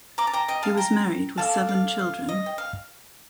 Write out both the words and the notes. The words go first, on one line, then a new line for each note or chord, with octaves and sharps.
He was married with seven children.
A#5 D6
A5
G5 A#5
D#5 G5
F5 A5
G5 A#5
F4 A4 D5 F5 A5
F5
F5
D#5
G5
F5